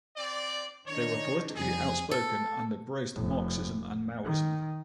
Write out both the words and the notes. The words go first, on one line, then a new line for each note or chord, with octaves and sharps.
They were politically outspoken and embraced Marxism and Maoism.
C4 D5
D#3 D4 D#4 C#5
F2 G3 G#4
A4
F1
D#3